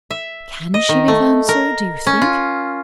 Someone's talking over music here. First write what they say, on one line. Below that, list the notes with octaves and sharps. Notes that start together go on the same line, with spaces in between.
"Can she be found, sir, do you think?"
E5
D#5
D#3
A3
A#4
C#4
F4